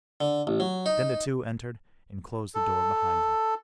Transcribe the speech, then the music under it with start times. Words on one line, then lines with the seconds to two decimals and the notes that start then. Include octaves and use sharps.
Then the two entered and closed the door behind them.
0.21 D3
0.47 A1
0.60 F#3
0.86 D#4
2.55 A4